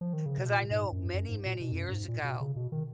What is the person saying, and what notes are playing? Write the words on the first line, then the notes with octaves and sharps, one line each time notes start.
'Cause I know many, many years ago,
F3
D#3
C#3
B2
A#2
G#2
F#2
F#2
G#2
A#2
B2
F2
F#2
F#2
G#2
A#2
B2
C#3
B2
D#3